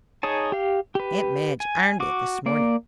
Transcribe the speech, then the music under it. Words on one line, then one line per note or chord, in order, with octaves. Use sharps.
"Aunt Madge ironed it this morning."
D#4 G#4 C#5 A5
G4 F5
G4 B4
G#5
F#4 D6
A#3 D5